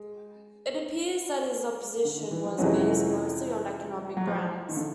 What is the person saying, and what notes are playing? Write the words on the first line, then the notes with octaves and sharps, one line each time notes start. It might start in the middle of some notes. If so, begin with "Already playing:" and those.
It appears that his opposition was based mostly on economic grounds.
Already playing: G#3
D3
D#3
E3
F3
F2 C3 E3 F#3 G#3 C#4
F#3
F3
D#3
D3